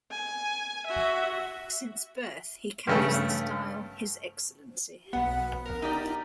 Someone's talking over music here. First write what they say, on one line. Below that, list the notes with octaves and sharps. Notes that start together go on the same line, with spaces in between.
Since birth he carries the style "His Excellency".
G#5
F#4 E5
G2 C#3 A3
B1 B3 F#5
A#4
D#4 G4 D5